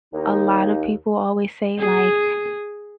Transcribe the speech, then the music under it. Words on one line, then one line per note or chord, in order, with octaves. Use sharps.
a lotta people always say, like
D#2 D#4
G#4